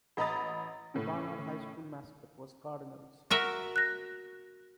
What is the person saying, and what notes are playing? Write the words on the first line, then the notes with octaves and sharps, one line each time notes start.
The Barnard High School mascot was Cardinals.
A1 D#5 A#5 B5 D#6 A6
A2 C#3
F#4 A#4 E5
F#6 A#6